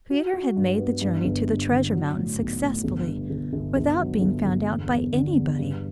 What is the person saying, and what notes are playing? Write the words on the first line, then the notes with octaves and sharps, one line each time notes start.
Peter had made the journey to the treasure mountain successfully, without being found out by anybody.
F#4
F#4
G2
B3
G2
G1
G2
D3
F#3
A2
B1
A2
G1
G2
G1
G1
G1
F#3
G1
G1
E2
E2
D3
E2
G2